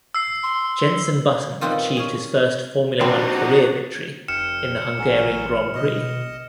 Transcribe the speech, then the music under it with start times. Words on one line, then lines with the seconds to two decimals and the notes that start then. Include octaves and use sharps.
Jenson Button achieved his first Formula One career victory in the Hungarian Grand Prix.
0.14 E6 C7
0.43 C6
1.61 A#2 D#3 G3 B3 C4 F4
1.97 C#4 G#4
3.01 F3 G3 C4 D4 D#4 F#4 G4 F#5
4.28 F1 G5 F6 C#7 E7
4.98 A1 F#3 C#4
5.75 B2 D#5